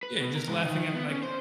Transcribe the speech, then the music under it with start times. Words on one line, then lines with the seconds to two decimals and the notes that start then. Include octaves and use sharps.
Yeah, your just laughing at like
0.03 B4
0.20 B2
0.35 A#4
0.48 G#2
0.65 D#3
0.95 B3
1.09 C#4
1.23 C5